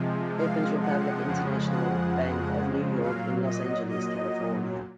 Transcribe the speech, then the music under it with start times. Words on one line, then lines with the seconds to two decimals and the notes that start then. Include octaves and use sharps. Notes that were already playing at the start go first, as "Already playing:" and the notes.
Opens Republic International Bank of New York in Los Angeles, California.
Already playing: C3 F3 G#3
0.37 F5
0.82 F#5
1.25 F2 C#3 F3 G#3
1.69 F#5
3.01 A#2 F#3 F5
3.45 D#5
3.89 D#5